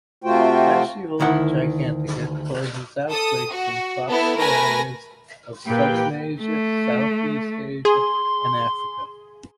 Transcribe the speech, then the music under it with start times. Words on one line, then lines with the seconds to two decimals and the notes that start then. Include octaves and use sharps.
"Fasciola gigantica" causes outbreaks in tropical areas of southern Asia, Southeast Asia, and Africa.
0.24 C3 A3 F4 F#4 C5 G5
1.20 D2 D#3 E4 F#5
3.10 A4 D#6
3.50 F#4
4.10 B3 E4 A4
4.38 A3 A#4 B4 G#5 A#6
5.65 A#2 G4 B4 G5
6.41 A3
7.85 G#4 C6